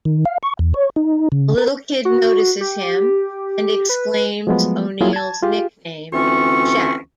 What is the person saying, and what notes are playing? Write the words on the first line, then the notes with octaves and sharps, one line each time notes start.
A little kid notices him, and exclaims O'Neal's nickname, "Shaq".
D#3
F5
C#6
E2
C#5
D#4
C#3
A#4
F#4
G4
B4
F3 F#3 G#3 A3 B3
F#3 G3 A#3 E4 F4 G#4
A5 G#6
F4 G4 G#4 F5
D2 E3 C4 C#4 F4 C#6